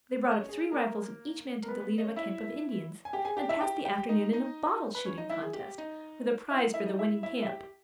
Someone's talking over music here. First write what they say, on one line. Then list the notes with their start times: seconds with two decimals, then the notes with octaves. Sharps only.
They brought up three rifles, and each man took the lead of a camp of Indians, and passed the afternoon in a bottle shooting contest, with a prize for the winning camp.
0.24 C#5
0.31 D#5
0.40 C#4 C#5
0.49 G#4
0.72 A#3 A#4
1.63 A#4
1.68 B3 B4
1.80 B3 B4
1.98 D#5
2.04 C#4 C#5
2.16 E4 E5
3.05 G#5
3.13 G4 G5
3.25 G#4 G#5
3.37 G4 G5
3.49 E4 E5
3.61 G4 G5
3.85 G4 G5
4.09 D#4 D#5
4.33 D#4 D#5
4.95 B4
5.05 C#4 C#5
5.18 D#4 D#5
5.30 E4 E5
5.42 G#4
5.54 G4
5.78 D#4 D#5
6.51 E4 E5
6.74 E4 E5
6.86 D#4 D#5
6.99 E4 E5
7.23 E4 E5
7.43 E5
7.47 G4 G5